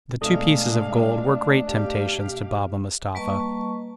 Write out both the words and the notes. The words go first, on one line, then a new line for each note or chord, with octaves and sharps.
The two pieces of gold were great temptations to Baba Mustapha.
B2 G#3 A3 D4 D#5 F5
G4 F5
G3 A#3 B4 D#5 A5 C#6